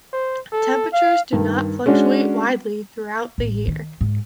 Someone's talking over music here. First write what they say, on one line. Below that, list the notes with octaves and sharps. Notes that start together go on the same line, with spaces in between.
Temperatures do not fluctuate widely throughout the year.
C5
A4
F5
G2 D#3
G#3 C#4 D4 F#4
A1
D#3
G#2